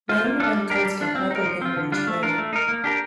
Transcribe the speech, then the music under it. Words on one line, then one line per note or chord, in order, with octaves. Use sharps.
Random event cards can help or hinder each player.
F4 C5
A#3
D4 F4 A4
G3
D4 G4 A#4
G3
D4 F4
C4
D#4 A#4
F3
C4 F4
D3
G3 D4 F4
A3
D4 F4 A#4
A3
D#4 A#4
A#3
D4 G4 A#4